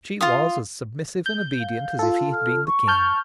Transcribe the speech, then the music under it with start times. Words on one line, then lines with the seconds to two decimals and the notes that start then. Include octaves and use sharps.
She was as submissive and obedient as if he had been the king.
0.21 F4 F5 D#6
1.26 G6
1.60 F5
1.99 F4 A4
2.32 F6
2.67 C#6
2.88 A5 F6 G6